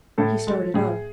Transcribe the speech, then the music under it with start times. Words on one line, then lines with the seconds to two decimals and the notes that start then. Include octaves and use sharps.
He started up.
0.18 A2 A4
0.47 G#3
0.74 A2 G#4